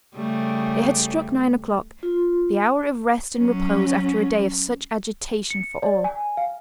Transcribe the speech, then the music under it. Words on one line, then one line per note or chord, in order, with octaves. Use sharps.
It had struck nine o'clock--the hour of rest and repose after a day of such agitation for all.
C#3 G3 A3
F4
F#3 C#4
C#7
D5
G#5
F5